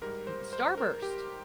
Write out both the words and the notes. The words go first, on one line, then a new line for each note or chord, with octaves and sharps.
m Starburst
G#2 G3 A#4
C5
C5
A#4
G4